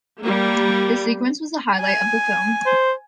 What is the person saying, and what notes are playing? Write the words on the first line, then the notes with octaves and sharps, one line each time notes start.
The sequence was the highlight of the film.
G3 A#3
G#5
C5